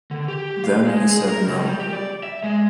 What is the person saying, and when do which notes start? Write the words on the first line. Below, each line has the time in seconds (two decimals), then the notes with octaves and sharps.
Then he said no.
0.11 D3
0.28 G4
0.64 F5
0.86 G#3
1.11 G#4
1.28 A#4
1.47 C#2
1.65 G3
1.80 G4
1.93 D5
2.23 E5
2.43 G#3